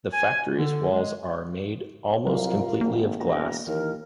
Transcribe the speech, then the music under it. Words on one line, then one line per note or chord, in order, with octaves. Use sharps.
The factory's walls are made almost completely of glass.
G#5
D3
G#3
C2 F#3 F4 A#4
G#1 A#3
E1 A#5
D#2 E3 A#4